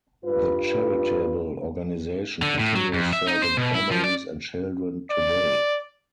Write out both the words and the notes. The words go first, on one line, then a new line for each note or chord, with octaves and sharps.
The charitable organization continues serving families and children today.
G2 F4 B4
D3
A2
F#3
F2
E5
D#4
C5
B2
E4
F3
D5
D5